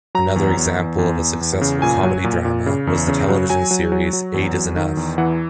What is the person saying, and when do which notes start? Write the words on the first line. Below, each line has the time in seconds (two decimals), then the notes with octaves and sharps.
Another example of a successful comedy-drama was the television series "Eight Is Enough".
0.15 F#3 A#5
0.36 E2
0.57 E2
0.78 E2
0.98 E2
1.19 E2
1.41 E2
1.61 C#3
1.82 A#2 G#5
2.03 F#3
2.24 A#2
2.45 A#2
2.66 C#3
2.87 E2
3.08 C#3
3.29 F#3
3.50 F#3 G#5
3.71 F#3
3.92 F#3
4.13 F#3
4.34 E2
4.55 F#3
4.77 D#3
4.97 E2
5.18 E3 F#5